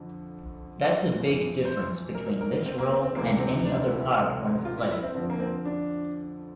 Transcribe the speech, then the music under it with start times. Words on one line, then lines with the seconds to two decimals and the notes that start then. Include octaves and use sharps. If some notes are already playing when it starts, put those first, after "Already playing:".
That's a big difference between this role and any other part one've played.
Already playing: F2 D3 F3
1.15 F2 E3
1.65 C5
2.15 A#4
2.41 A#4
2.66 C4
2.78 A#3
2.91 C4
3.03 C4
3.15 D2 C3 E3 A#3
3.40 C4
3.65 D4
3.90 E4
4.65 F4
4.78 E4
4.91 E4
5.03 C4
5.15 F2 D3 F3 C4
5.30 A#3
5.40 C4
5.65 D4